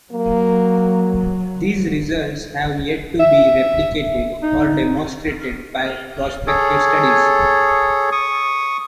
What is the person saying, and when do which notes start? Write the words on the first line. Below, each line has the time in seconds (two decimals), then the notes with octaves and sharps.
These results have yet to be replicated or demonstrated by prospective studies.
0.12 F#3 A#3
3.20 E5
4.42 D#4
6.47 G#4 A4 C#5
8.12 C#6 D#6